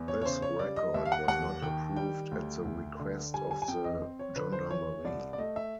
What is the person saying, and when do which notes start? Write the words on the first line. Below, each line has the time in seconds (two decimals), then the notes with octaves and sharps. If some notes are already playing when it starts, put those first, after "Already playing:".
This record was not approved at the request of the Gendarmerie.
Already playing: E2
0.08 C#5
0.22 C#5
0.25 C#3 C5
0.42 C#5
0.59 G3 D5
0.76 D#5
0.94 D#2 E5
1.05 F5
1.12 F#5
1.28 D#2 F#5
1.62 D#3 G5
1.96 G3 G5
2.31 D2
2.65 D2
3.00 D3
3.34 G3 G#5
3.51 G#5
3.62 G#5
3.68 F2 G5
3.84 D#5
4.02 C4
4.19 C#5
4.36 D3 B4
4.52 C5
4.70 E3 C#5
5.05 C2 D5
5.33 D5
5.38 A3 D#5
5.56 E5